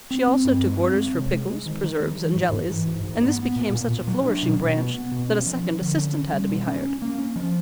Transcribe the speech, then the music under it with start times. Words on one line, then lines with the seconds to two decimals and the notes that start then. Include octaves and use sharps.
She also took orders for pickles, preserves, and jellies, and this became such a flourishing branch that a second assistant had to be hired.
0.11 C4
0.27 C4
0.45 G2
0.62 G#3
0.80 C4
0.97 G#3
1.14 C3
1.31 G#3
1.49 G#3
1.66 D#3
1.83 D#3
2.00 G#3
2.18 E3
2.35 G#2
2.52 G#2
2.70 E3
2.87 G#2
3.04 G#2
3.22 B3
3.39 B3
3.56 A#2
3.73 A#2
3.90 A#2
4.07 F#3
4.25 D4
4.43 B2
4.60 B2
4.77 B3
4.94 B3
5.12 B2
5.29 C#4
5.46 F3
5.64 F3
5.81 D3
5.98 C#4
6.15 C#4
6.33 G3
6.49 B2
6.67 C#4
6.85 C#4
7.02 A#3
7.18 C#4
7.36 F3